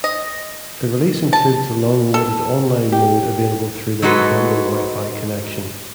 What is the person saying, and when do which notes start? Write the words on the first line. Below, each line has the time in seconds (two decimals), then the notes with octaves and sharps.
The release includes the long-awaited online mode available through the Nintendo Wi-Fi connection.
0.04 D#5
1.33 A5
2.14 A4
2.92 G4
4.02 F#3 G#3 D#4 F#4 A4 B4